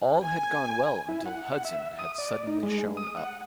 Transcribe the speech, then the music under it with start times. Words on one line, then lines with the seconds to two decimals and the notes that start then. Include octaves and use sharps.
All had gone well until Hudson had suddenly shown up.
0.23 G#5
1.09 E4
1.26 F#5
1.65 E5
1.99 D#6
2.18 D5
2.47 D#4
2.63 G#3
2.97 D#6
3.17 F#5